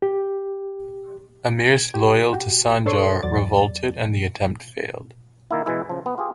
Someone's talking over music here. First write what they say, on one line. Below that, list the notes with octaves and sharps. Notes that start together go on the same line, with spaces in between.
Amirs loyal to Sanjar revolted and the attempt failed.
G4
G#6 D7
G4
F#4 G4
D4 A4 C5 C#5 C6 C#6
E2 F#3 D5 A6
D#3 A#3 E4
B2 E3 G#3 E4
C#3 F3
B3
F4 G4 G#4